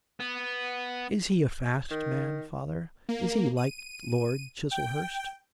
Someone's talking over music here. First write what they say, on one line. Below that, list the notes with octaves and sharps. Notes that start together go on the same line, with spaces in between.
'Is he a fast man, father, is he like Lord Chiselhurst?'
B3
D#3
A#3
D#7
G5